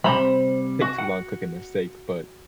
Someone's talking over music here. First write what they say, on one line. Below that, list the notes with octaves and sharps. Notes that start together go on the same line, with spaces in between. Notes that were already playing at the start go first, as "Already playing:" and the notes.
take too long cooking a steak, but
C3 G3 C5 A#5 B5
F#4
F#5